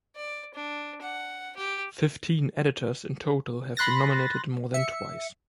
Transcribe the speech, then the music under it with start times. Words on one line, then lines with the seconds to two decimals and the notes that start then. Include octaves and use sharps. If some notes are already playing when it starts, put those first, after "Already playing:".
Fifteen editors in total have been nominated more than twice.
0.16 D5
0.54 D4
1.02 F#5
1.56 G4
3.77 B5 C6 F#6 A6 A#6
4.74 E5 C#7